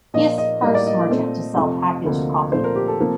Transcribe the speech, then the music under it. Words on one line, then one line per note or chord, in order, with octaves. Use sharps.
He is the first merchant to sell packaged coffee.
A#2 F3 A#3 D#5
D#5
A2 G3 A#3 D#5
D5
D#5
A#2 A3 C4
F2 C3 F3 A3
D2 C3 F3 A#3
A#2 F3 A3 C4 C5
A#4
G4
A4
C3 F3 A#3